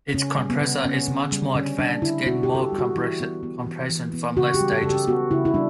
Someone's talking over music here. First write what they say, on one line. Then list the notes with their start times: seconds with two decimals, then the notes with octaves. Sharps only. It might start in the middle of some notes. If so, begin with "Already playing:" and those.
Its compressor is much more advanced getting more compression from less stages.
0.14 C#3 C#4
0.38 G3
0.50 B3
0.61 C#3
0.85 B3 C#4
1.08 C#3
1.32 G3
1.55 D3 C#4
1.79 G3 D4
2.02 D3 E4
2.26 B3 F#4
2.43 G4
2.49 D3
2.55 A4
2.61 G4
2.73 G3
2.79 F#4
2.96 E3 E4
3.20 B3
3.43 B3
3.67 E3
3.90 E3
4.13 B3
4.37 C#3 F#4
4.54 G4
4.61 G3
4.72 A4
4.83 C#3 A4
4.90 G4
5.07 B3 F#4
5.31 C#3 E4
5.45 E4
5.54 G3 D4